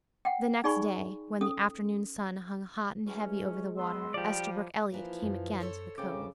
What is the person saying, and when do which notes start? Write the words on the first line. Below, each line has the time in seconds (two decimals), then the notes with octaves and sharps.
The next day, when the afternoon sun hung hot and heavy over the water, Esterbrook Elliott came again to the Cove.
0.25 F#5 G5
0.64 D#4 G#4 D5 G#5 B5 C#6
1.41 C#4 A4 D#6
3.07 E3 F#3 G#3 C#4
3.77 B3 C6 E6
4.14 F3 G3 G4 D5
4.92 E3 F3 A#3
5.23 F#2
5.60 A4 C5 C#5
5.98 C#3 C4 G5 D6